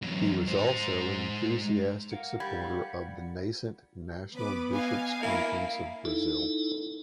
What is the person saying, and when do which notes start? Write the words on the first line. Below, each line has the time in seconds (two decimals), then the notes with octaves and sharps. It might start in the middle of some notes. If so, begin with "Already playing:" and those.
He was also an enthusiastic supporter of the nascent National Bishops Conference of Brazil.
0.02 E2 F#3
0.48 G#3 C5
2.11 A#4 F5 F#5
2.40 G3 B5 G#6
4.35 B3 B4 D6
4.72 D#5 F5 G#5
5.22 A#3 E4
6.05 D#4 E4 A4